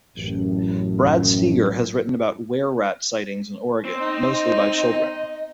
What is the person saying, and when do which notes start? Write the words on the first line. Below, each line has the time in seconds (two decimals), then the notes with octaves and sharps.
Brad Steiger has written about wererat sightings in Oregon, mostly by children.
0.16 A1 F#2 A2
3.85 C4
4.01 D#4 D#5